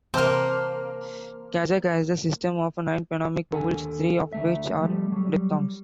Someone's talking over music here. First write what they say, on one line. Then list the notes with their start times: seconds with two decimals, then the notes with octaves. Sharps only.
Kazakh has a system of nine phonemic vowels, three of which are diphthongs.
0.14 C3 E3 A#3 C4 C5 A5 C6 F6
3.51 D#2 D3 A4 A#4 F#5 G#5
4.33 D2 A3 E5
4.80 F3 G3 A3
5.12 F#3 G3